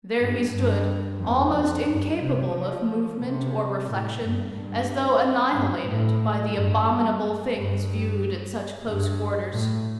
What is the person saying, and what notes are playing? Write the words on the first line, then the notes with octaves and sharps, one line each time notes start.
There he stood, almost incapable of movement or reflection, as though annihilated by the abominable things viewed at such close quarters.
G2
G2
F2
F2
G2
C3
F3
C3
A2
G2
G2
G2
A2
G2
G2
G2
A2